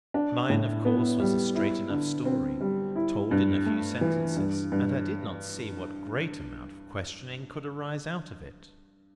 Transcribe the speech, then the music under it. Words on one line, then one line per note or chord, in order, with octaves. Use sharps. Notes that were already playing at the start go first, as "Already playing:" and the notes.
Mine, of course, was a straight enough story, told in a few sentences, and I did not see what great amount of questioning could arise out of it.
D4
A2
B3
G3
E4
D3
C4
G3
E4
G2
A3
E3
G2
G2